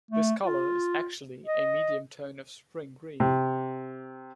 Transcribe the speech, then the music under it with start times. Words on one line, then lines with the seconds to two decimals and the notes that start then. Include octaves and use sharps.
This color is actually a medium tone of "spring green".
0.11 A3
0.44 F4
1.46 D#5
3.20 C3